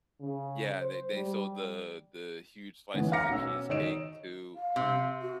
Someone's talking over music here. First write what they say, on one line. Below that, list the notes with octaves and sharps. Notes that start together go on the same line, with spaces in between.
Yeah, they they sold the the huge slices of cheesecake, too ooh,
C#3
C5
G3
E3 B3 C#4
F5 G5 A#5 D6 A#6 C#7
B2 C#4 E6
D#3 C#5 D#5 D7 E7
F5
C3
F#4